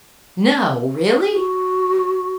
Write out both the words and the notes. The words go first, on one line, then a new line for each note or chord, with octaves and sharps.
"No, really?"
F#4